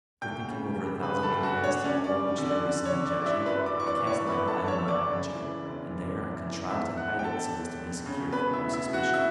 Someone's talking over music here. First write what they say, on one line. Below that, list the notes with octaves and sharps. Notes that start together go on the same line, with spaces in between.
After thinking over a thousand plans, to all of which there was some objection, I cast my eyes on my arm-chair, and there I contrived to hide it so as to be secure from all suspicion.
D2 G5 G6
C#3
G3
C#3 B4 B5
B5
A4 A5
D2
F#4 F#5
D4
C#5
C#4 D5
D5
G3
D3
D5
D3
C#5
D3
D5
G2 D5
E4 E5
F#2 B4 B5
D5 D6
E3
C#6
D5 D6
E3
C#5 C#6
G1 B4 B5
A4 A5
E3
C#5 C#6
G1 E6
D5 D6
C#3
E3
E1
E3
E2
E3
E2 E5 E6
E1 F#5 F#6
G5
E1 A4 A5
E1
E1
C#3
B2 B4 B5
E4 E5
A3
E4 E5
B2
F#4 F#5
B2 E4 E5